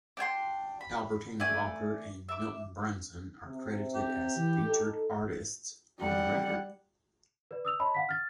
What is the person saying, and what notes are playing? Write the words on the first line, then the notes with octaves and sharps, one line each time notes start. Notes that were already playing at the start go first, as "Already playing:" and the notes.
Albertina Walker and Milton Brunson are credited as featured artists on the record.
D4 G5 G#5 C6
B5
A3 D5 G#5
E5 D6
C3
G4
E3
D#4 A4
G3 F#5
B4 D5
D#6 E6 F7
C#5 D#5 A5 B5 C6
F5 F#5 B6
F6 A6